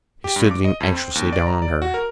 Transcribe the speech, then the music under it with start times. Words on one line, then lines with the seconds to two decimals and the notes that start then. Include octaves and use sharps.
He stood looking anxiously down on her.
0.24 G4
0.36 G2
0.51 D6
0.65 D#5
0.80 F2
0.92 C4
1.15 D#2
1.33 D5
1.47 A#5
1.62 D5
1.82 F#4
1.94 A#4